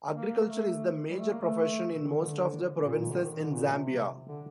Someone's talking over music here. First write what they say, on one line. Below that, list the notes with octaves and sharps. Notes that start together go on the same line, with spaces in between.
Agriculture is the major profession in most of the provinces in Zambia.
A#3
A3
G3
A3
A#3
A3
D#3
D#3
D3
A#2
A#2
D3
D#3
D#3
D3
A#2
C3
D3